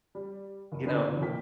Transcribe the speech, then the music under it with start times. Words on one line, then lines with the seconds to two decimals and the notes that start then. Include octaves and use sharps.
you know
0.15 G3
0.72 F#1
0.86 D3 B3 D#4 B4 C5
1.08 G2 B2 D3 E3 F3
1.21 C2 F3 A#3 G5 B6